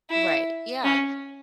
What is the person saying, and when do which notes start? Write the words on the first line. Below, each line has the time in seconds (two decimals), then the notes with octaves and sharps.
Right. Yeah.
0.10 E4
0.84 C#4